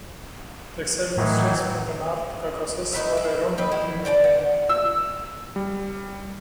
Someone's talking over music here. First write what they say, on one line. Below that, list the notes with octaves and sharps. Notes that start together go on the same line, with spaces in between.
The exiled Muslims from the North Caucasus were around one million.
A2 D#3 E3 F#3
D#3 F#3 B4 E5
E4
C4 B4 D#5
E4
C5 D5 G5 A5
F#5
E6
G3